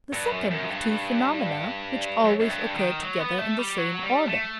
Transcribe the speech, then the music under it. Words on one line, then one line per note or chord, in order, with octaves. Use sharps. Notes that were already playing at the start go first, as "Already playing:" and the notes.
The second of two phenomena which always occur together in the same order.
G2
F#2
F#2
G2
F#2
F#2
G2
D#3
F#3
B3
A3
G3
F#3
G3
A3